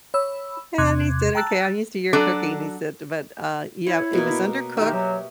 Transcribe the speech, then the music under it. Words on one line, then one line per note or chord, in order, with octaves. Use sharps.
And he said, "Okay, I'm used to your cooking," he said, but, uh, yeah, it was undercook
C#5 B5 E6
E2 C3 C6 D6 F#6 G#6
G5 A5 A#5 E6 F#6 A6
F#3 D4 F#4 A4 D5
E4 C#5
B2 A#3
D#3 D#4 G4 E5
F#3